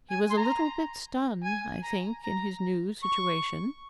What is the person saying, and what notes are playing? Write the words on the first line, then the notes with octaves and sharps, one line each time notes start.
He was a little bit stunned, I think, in his new situation.
G#5
C6
A#5
G#5
A#5
A#5
C#6